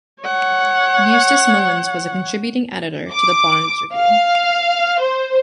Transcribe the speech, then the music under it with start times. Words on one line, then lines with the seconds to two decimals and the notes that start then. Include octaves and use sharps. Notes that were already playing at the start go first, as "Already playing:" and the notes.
Eustace Mullins was a contributing editor to the "Barnes Review".
0.22 C#5 F#5
3.13 D6
3.96 F5
5.00 C5